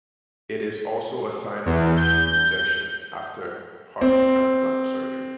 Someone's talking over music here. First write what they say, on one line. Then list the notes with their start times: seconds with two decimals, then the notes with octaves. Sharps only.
It is also a sign of acute rejection after heart transplant surgery.
1.66 E2
1.97 G6
4.01 C4